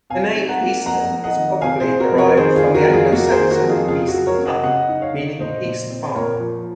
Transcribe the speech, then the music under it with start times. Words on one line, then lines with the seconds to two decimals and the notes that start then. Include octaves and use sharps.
The name Easton is probably derived from the Anglo-Saxon "East Tun" meaning East Farm.
0.10 C3 F5 G#5
0.36 D#4
0.49 F#5 A#5
0.61 A#3
0.85 F2 F#5 A#5
1.11 F2
1.24 D#5 F#5
1.36 D#3
1.61 C3 F5 G#5
1.80 G#4 C5
1.86 C3
2.00 F#4 A#4
2.12 F2
2.18 A#4 C#5
2.37 D#3 G#4 C5
2.56 F4 G#4
2.62 D#3
2.75 F#4 A#4
2.87 F2 A#4
2.93 F4 G#4
3.12 A#3 F#4
3.27 A#4
3.31 G#4 C5
3.38 D#3
3.50 F#4 A#4
3.63 F2
3.69 F4 G#4
3.88 C#3 F4 G#4
4.08 F#4
4.14 F#3
4.26 A#4 C#5
4.38 C#3
4.45 D#5 F#5
4.64 C#3 D#5 F#5
4.89 D#4
5.02 C#5 F5
5.14 C#3
5.40 A#2 C5 D#5
5.65 A#2
5.90 C4
6.15 A#2 A#4 C#5
6.40 F3